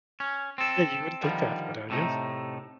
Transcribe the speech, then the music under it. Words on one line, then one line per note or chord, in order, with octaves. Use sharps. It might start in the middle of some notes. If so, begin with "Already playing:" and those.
Yeah, you wouldn't think that, but, uh, yeah.
C#4
C4 A4
D3 D#3 F3 G3
A2 C3 A3 D#4